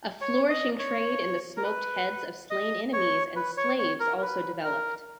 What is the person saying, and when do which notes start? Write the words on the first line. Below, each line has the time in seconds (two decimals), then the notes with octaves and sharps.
A flourishing trade in the smoked heads of slain enemies and slaves also developed.
0.21 C#5
0.50 D#5
0.79 C#5
1.57 A#4
1.64 B4
2.50 D#5
2.93 C#5
3.36 B4
3.57 C#5
3.79 C#5
4.00 A#4
4.17 A#4
4.22 B4
4.64 A#4